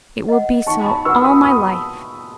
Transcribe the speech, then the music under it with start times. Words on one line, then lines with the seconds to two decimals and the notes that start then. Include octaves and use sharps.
It will be so all my life.
0.29 D#5 F#5
0.67 D#4 A5 C#6
0.81 B5
0.86 A5 C#6
1.05 F#4 B4 F#5 C#6 E6
1.24 B5 D#6
1.44 F#4 B5 D#6